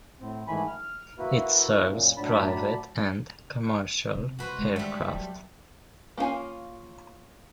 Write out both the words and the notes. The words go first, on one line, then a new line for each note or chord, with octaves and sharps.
It serves private and commercial aircraft.
A2 C4
G#2 D#3 E3 A3 G#5 B5
F6
A#3 E4 F#4 B4
F#2 A#2
A2 F#3 D4 A5 B5
C3
C2 F#4 B4 C5
D3 G#3
G3 A3
F#3
A#3 C#4 D4 F4 G#5